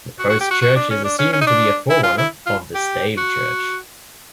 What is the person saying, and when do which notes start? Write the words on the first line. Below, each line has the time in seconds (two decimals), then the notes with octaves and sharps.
The post church is assumed to be a forerunner of the stave church.
0.19 F#4
0.29 F#4
0.41 G4
0.51 F#4
0.62 F#4
0.76 D4
0.90 C#4
1.04 D4
1.19 C#4
1.33 C#4
1.41 D#4
1.47 D4
1.90 E4
2.03 F4
2.18 E4
2.46 F4
2.75 G4
3.17 F#4